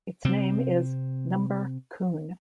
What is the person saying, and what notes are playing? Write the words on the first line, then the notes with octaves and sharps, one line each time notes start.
Its name is Number-kun.
C3 C4